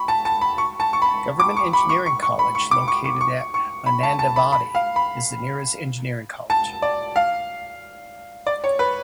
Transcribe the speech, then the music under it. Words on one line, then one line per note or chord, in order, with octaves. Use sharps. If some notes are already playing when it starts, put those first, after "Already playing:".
Government Engineering College located at Mananthavady is the nearest engineering college.
Already playing: B5 C#6
A5
A5
B5
C#6
A5
C#6
B5
D6
C#6
B5
C#6
C#6
C#6
B5
C#6
D6
C#6
C#6
C#6
C#6
B5
A5
A5
B5
B5
F5
B5
A5
D5
F5
D5
C#5
B4